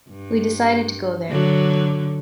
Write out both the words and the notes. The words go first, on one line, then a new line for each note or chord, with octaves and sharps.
We decided to go there.
G2
D3 F#3